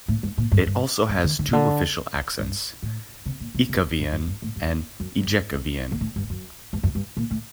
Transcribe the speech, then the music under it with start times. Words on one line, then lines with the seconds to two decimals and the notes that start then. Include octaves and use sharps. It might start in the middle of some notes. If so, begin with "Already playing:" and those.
It also has two official accents: Ekavian and Ijekavian.
0.08 A2
0.23 G2
0.38 A#2
0.52 G2
0.66 G2
1.09 G2
1.24 D#3
1.39 D#3
1.48 C3
1.53 D3
2.39 G2
2.83 A2
3.26 C3
3.41 A#2
3.55 C3
3.69 C3
3.99 G2
4.13 F#2
4.27 G2
4.42 A2
4.56 G2
5.00 F#2
5.21 G2
5.92 A#2
6.01 A2
6.16 G2
6.30 F#2
6.73 G2
6.83 F#2
6.95 G2
7.17 A#2
7.31 A2